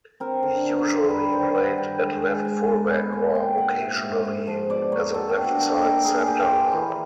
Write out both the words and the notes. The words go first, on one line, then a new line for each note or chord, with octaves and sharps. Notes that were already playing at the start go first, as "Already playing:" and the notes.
He usually played at left full back or occasionally as a left-side centre half.
C4 A#4
D3
D3
D3
G3 B4
D#3 C5
G2 F#5
G2 G5
G#3
G#3
G#3 G#5
A#5
B2 A5
B3 G#5
A#2
A#2 G5
A#2 F#5
G#2 E5
G#2
G#2
F3
B2 D5
A#3 C#5
B2 A4
G4
D4
F#4
A#3 G4
A#3 A4
A#3 G#4
A#2 G4
F4 G#4
E3